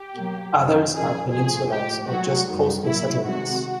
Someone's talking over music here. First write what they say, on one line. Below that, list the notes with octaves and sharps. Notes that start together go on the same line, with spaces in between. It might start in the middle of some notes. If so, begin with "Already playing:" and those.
Others are peninsulas or just coastal settlements.
Already playing: G4
B2 F#3 A#3
F#2 C#3 F#3 A3
F2 C#3 F3 G#4
A#2 F3 A3 G#4
A2 F3 G#3 G4
A#2 F#3 A3 F#4
F#2 D#3 G3
A2 F#3 A#3 E4
C3 D#3 G#3 F#4